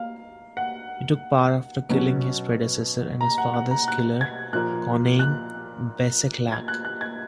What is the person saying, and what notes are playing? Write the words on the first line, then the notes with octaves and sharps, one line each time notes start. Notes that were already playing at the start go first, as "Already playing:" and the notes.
He took power after killing his predecessor, and his father's killer, Conaing Bececlach.
Already playing: A#3 F5
F#5
B2 F#3 C#4
A#5
F#5
F#5
A#5
F#6
G#6
A#2 F3 A#3 F#6
F#6
G#6
F#6
F#6
G#6